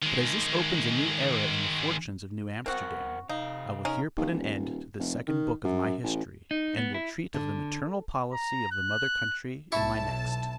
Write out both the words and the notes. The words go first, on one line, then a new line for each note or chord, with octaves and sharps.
But as this opens a new era in the fortunes of New Amsterdam I will here put an end to this second book of my history, and will treat of the maternal policy of the mother country in my next.
D#3 G#3
C4 F#4 A#4 C5 F#5
C3 D#4 F5
C#4 D#4 A#4
D#2
D#1
F1
D#3
F#2
A1
D#4
B3
E4
D3
A#5
F#6
B1 E4 A5 C#6